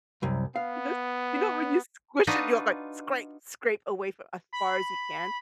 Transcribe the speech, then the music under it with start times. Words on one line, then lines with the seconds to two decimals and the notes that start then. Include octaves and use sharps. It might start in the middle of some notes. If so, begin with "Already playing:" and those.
You know you know when you squish it, you're like, "Scrape, scrape away," for as far as you can?
0.22 C2 F#2
0.56 B3 F5
2.27 D4 D#4 F4 F#4 B4 D#5
4.53 B5